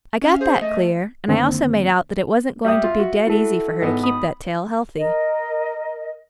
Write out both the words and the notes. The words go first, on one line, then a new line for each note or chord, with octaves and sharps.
'I got that clear, and I also made out that it wasn't going to be dead easy for her to keep that tail healthy.
C#4 E5 F5
G#4 C5
A3 D#5
F#2 D3 D#3 A#3 C4
G3 E5 D#6
F4
F#4
E4 A4
G#1 B3 D#5
B5 D#6
A#4 D#5